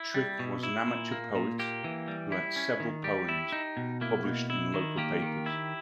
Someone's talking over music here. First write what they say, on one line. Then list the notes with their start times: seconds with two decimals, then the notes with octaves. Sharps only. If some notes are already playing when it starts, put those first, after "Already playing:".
Trick was an amateur poet who had several poems published in local papers.
Already playing: E4
0.14 G3
0.39 B2
0.63 E4
0.87 A#2
1.11 A#3
1.35 A#2
1.59 A#3 G4
1.84 E3
2.08 G3
2.32 E4
2.56 C#4
2.80 D#3
3.04 G3 G4
3.29 E4
3.52 D#4
3.77 B2
4.01 A#3 E4
4.26 B2
4.50 E4
4.74 D#3
4.98 A#3 G4
5.22 D#3
5.46 E4